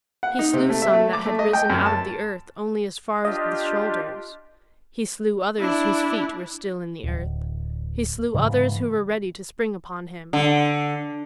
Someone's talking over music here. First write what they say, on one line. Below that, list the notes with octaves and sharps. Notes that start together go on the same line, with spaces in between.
He slew some that had risen out of the earth only as far as the shoulders; he slew others whose feet were still in the earth; he slew others who were ready to spring upon him.
F#5
D#4
C3
A3
E5
A3
D6
A3
D#5
G5
F#2
A5
D4 F4 G4 D#5
D4 E4
D1
G#2 C#3 E3
D3